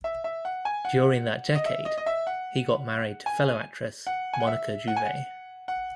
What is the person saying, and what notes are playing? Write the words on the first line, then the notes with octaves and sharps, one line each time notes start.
During that decade, he got married to fellow actress Monica Jouvet.
E5
E5
F#5
G#5
F#5
D#5
E5
D#5
D#5
E5
F#5
G#5
F#5
G#5
F#5
E5
F#5
G#5
F#5
F#5